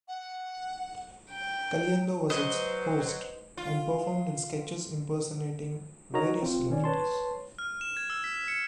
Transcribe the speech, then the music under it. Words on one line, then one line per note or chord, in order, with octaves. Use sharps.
Caliendo was its host and performed in sketches impersonating various celebrities.
F#5
G5
F#3 B4 C5 D#5
F4
D#4 F#4 A#4 C#5 D#5 A#5
C4 F4
D#3 C#4 D5
B4 C#5 A5 C6
F6
E7
G#6
E6
B6
C#7